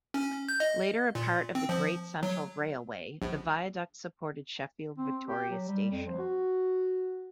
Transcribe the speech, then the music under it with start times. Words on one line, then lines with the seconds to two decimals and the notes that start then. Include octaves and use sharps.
Later a part of the Great Central Railway, the viaduct supported Sheffield Victoria Station.
0.14 C#4
0.49 G6
0.60 D#5
1.15 A#2
1.55 C4
1.69 F3
2.23 F#3
3.22 A#1
4.98 C4
5.27 G4
5.50 F#3
5.68 G3
5.91 F2
6.07 F3
6.19 F#4